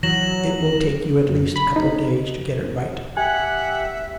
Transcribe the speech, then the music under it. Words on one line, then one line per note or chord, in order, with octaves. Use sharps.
It will take you at least a couple of days to get it right....
E3 F#3 A#6 E7 F#7
F#2
B5
D#4
G4 E5 F#5 G#5